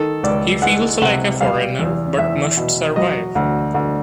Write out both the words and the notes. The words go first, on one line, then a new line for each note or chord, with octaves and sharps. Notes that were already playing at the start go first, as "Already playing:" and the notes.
He feels like a foreigner, but must survive.
Already playing: D#3 A4
C#2 D5
G#3 F#5
C3 F#5
G3 F5
E2
E2 E5
B2
F#3 D#5
D2
D2